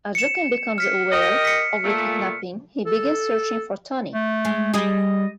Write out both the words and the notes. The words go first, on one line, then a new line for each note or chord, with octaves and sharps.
As Joakim becomes aware of the kidnapping, he begins searching for Tony.
C#7 E7
F6 B6 C#7
G4 A#4 D#5
B6 C#7
A#2 A3
A4
A3
G#3
G3 G4 G#4 D#5